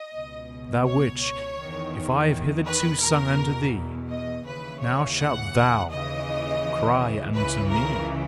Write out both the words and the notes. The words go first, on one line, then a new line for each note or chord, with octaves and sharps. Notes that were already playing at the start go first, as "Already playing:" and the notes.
Thou witch, if I have hitherto sung unto thee, now shalt THOU--cry unto me!
Already playing: D#5
C#2 B2
C#5
E2 D#3
B4
E2 B2 A#4
D#5
D#2 C#3 E3 B4
C#5
F#5
D#2 C#3 E3 D#5
C#2 C#3 E3 B4
A#4